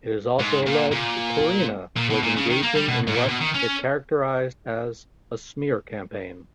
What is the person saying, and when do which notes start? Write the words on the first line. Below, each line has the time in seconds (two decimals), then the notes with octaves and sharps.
It also alleged Purina was engaging in what it characterized as a "smear campaign".
0.40 G#2
0.67 A#2
0.92 A#2
1.97 A#2
2.10 B2
2.23 A#2
2.36 C#3
2.50 D#3
2.63 A#3
2.75 G3
2.88 B2
3.07 G#2
3.15 A#2
3.28 B2
3.40 D#3
3.54 C#4